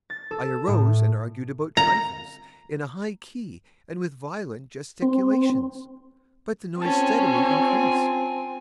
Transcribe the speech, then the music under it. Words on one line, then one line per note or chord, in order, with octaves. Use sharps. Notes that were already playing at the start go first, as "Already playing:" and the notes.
I arose and argued about trifles, in a high key and with violent gesticulations; but the noise steadily increased.
A6
A4
A2
A#5
C4
C4 C#4 F4 G#5 A5